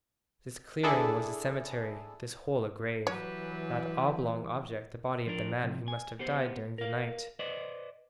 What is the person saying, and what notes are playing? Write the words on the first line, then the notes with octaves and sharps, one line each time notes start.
This clearing was a cemetery, this hole a grave, that oblong object the body of the man who must have died during the night!
D4 E4 G#4 A4
E3 F#3 G3 D4 B4 C#5
F3 D4 A#4
C3 F3
G#5
B3 G4 C5
A#4 F5
B4 C5 D5 D#5